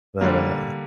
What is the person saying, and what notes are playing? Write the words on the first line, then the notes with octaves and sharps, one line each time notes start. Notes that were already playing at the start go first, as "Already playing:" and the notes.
But, uh,
D3 G3 A#3